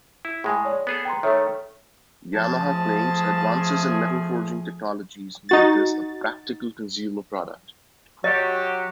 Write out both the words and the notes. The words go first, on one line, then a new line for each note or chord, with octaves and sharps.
Yamaha claims advances in metal forging technologies make this a practical consumer product.
E4
A2 G#3 G#4 G#5
C#5 D5
B3 G#4 A4
G5 A#5 C6
D#3 A3 A4 C#5 E5
F3 A3 G#4 A5
D#4 F#4 A6
F#3 F#4 G4 D#5